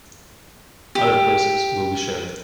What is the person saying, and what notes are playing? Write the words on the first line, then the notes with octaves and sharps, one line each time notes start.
Other places will be shared.
G4